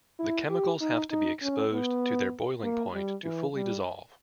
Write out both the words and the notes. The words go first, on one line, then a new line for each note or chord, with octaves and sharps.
The chemicals have to be exposed to their boiling point to fully dissolve.
E4
G4
D#4
D#4
C#4
B3
A#3
G3
E3
G3